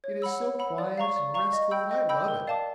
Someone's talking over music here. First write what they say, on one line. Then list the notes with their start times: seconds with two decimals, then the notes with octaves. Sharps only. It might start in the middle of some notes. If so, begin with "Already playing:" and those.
It is so quiet and restful that I love it.
0.04 C#5
0.22 F#5 B5 E6
0.41 C#5
0.59 F#5 B5 E6
0.78 D5
0.98 F5 A#5 C#6
1.16 D5
1.34 F5 A#5 C#6
1.53 D#5
1.71 G5 B5 E6 G6
1.91 D#5
2.09 G5 B5 E6 G6
2.28 A#4
2.47 D5 F5 A5 D6